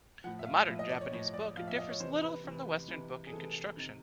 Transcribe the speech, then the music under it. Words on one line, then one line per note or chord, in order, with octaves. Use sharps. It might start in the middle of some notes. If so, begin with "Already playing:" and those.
The modern Japanese book differs little from the western book in construction.
A2 F3 F#5
E5
F5
A2 F3 E5
D#5
D5
C#5
A2 F3 C#5
D5
A2 F3 F5
E5
D#5
C#5
C3 E3 C5
B4
C3 E3
C3 E3
G#4
C3 E3 A4
C3 D#3